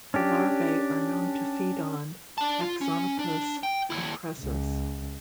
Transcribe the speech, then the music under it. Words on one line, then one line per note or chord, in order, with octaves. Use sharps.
The larvae are known to feed on "Axonopus compressus".
C#4 D4 G4
D4 A5
F4
C#4
D4
G5
D#2 E4
C#2